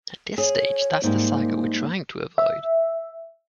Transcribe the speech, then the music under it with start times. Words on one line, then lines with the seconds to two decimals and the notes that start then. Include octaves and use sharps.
At this stage that's the saga we're trying to avoid.
0.38 G#4 C#5
1.03 G#2 G3 A#3
2.38 E5